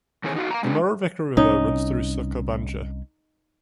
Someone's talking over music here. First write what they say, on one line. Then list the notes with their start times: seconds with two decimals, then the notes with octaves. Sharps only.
The Moravica River runs through Sokobanja.
0.24 D#3 E3 C4 G#4 C#5
0.36 D#4 F#4 F5
0.51 F5 F#5 A#5
0.63 G#3 D4
1.37 C2 C#4 D#4